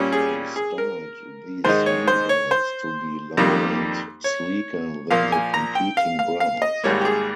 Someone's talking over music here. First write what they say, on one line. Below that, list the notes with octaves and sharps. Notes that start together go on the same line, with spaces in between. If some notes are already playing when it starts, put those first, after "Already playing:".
They styled these minivans to be lower and sleeker than the competing brands.
Already playing: A#2 G3 C#4
G#4
G#4
A#4
G#2 D#3 G#3 D#4 C5
C#5
C5
C#5
C5
F2 D#3 G3 A#3
C#5
A#2 F3 A#3 F5
G#5
A#5
G5
F5
F5
F5
D#5
G#1 G#2 G3 A#3 C#5
G4
G#4